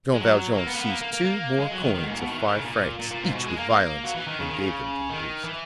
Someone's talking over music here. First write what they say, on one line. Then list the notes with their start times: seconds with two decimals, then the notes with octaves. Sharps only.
Jean Valjean seized two more coins of five francs each with violence, and gave them to the priest.
0.14 G#3
0.20 F#3
0.55 A#3
0.66 B3
0.74 A#3
0.78 B3
0.90 A#3
1.02 A#3
1.13 A#3
1.25 A#3
1.60 G#3
1.72 F#3
1.83 D#3
1.95 D#3
2.03 G#2
2.12 A#2
2.20 B2
2.29 D#3
2.38 E3
2.47 D#3
2.56 C#3
2.64 A#2
2.99 A#2
3.11 A#2
3.23 G#2
3.34 B2
3.46 G#3
3.58 A#3
3.70 A#3
4.04 F#3
4.16 E3
4.28 D#3
4.39 C#3
4.49 D#3
4.58 C#3
5.09 D#3
5.44 E3